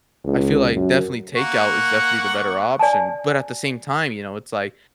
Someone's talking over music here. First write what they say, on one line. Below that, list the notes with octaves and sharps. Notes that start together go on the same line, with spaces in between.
I feel like definitely takeout is definitely the better option, but at the same time, you know, it's like
C#2
F#2
A#3 F#5 C#6
D5 G#5 A5